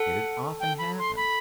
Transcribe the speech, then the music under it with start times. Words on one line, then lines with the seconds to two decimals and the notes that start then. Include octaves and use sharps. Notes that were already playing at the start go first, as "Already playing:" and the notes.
Did it often happen?
Already playing: A4 F#5
0.60 G5
0.79 B5
0.98 C6
1.16 B5